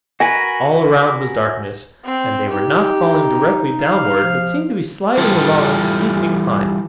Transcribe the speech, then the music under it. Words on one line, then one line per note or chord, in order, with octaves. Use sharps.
All around was darkness, and they were not falling directly downward but seemed to be sliding along a steep incline.
F#4 A#4 B4 G#5
C4
D#4 G4
F5
F3
E3 G3 F4 A4